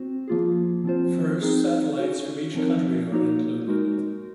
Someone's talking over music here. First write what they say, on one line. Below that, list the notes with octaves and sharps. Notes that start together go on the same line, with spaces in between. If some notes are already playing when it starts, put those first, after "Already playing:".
First satellites from each country are included.
Already playing: C4 F#4 C5
F3 A#3 F4 G#4
F3 C4 F4 C5
C4 D#4 G#4
C#4 F#4 C#5
F3 C4 D#4 A#4 C#5
A#3 D#4 F#4 C#5
G#3 D#4 F#4 A#4